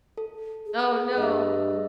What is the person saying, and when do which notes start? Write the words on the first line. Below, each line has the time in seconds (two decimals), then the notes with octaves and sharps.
Oh, no.
0.17 A4
0.66 G#4
1.18 G2 D#5 E5